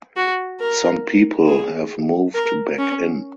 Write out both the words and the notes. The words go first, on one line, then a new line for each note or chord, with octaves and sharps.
Some people have moved back in.
F#4
A#4
G#4
A#4
C#4